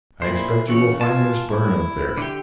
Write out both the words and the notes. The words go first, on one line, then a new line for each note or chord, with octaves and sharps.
I expect you will find Miss Byrne up there.
A#2 E4 G#4 C5
C#3 E3 F#4 C#5
F4 G#5 A5
E4
D3 G4